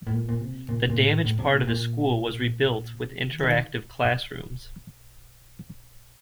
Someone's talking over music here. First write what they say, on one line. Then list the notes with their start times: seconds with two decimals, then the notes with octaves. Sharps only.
The damaged part of the school was rebuilt with interactive classrooms.
0.07 A2
0.13 A#2
0.29 A#2
0.41 C3
0.69 A#2
0.82 C3
0.90 A#2
0.97 A2
1.25 A2
1.39 C3
1.53 A#2
1.67 A#2
2.94 C3
3.22 D#3
3.43 D#3